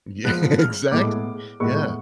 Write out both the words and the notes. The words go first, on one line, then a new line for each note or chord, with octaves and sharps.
Yeah, exactly. Yeah.
F3 G#3 B3 F#6
F6
A2 G#3 B3 D6
A2 G#3 B3 C#6